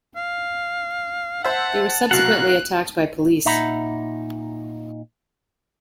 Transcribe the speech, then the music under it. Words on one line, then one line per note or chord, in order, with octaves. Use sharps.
They were subsequently attacked by police.
F5
C5 E5 F#5 A5
C2 B2 F#3 A#4 F5 F#5 F#6
A#2 D#4 E5 F#5 A#5 B5